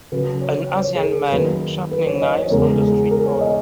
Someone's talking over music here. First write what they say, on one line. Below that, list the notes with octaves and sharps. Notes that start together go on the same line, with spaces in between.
An Asian man sharpening knives on the street corner.
C#3 F#3 C#4 B4
C#5
C#5
G#4
A#4
F#2 D#3 A#3 D#4 B4
B4
C#5
D#5
C#5
E2 C#3 G#3 A#4
G#4
A#4
C#5
D#5